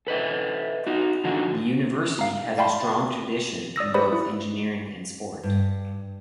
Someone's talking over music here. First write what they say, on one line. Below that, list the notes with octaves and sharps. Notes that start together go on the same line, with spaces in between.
The university has a strong tradition in both engineering and sport.
A4 B4 D#5 E5
D#4 F#4
D3 F3 D#4 F#4
F5 A#5
D5 F5 G5 A5 B5 C6
D5 D#6 E6 A#6
G4 B4 C5 D5 B5 D#6
E4
G2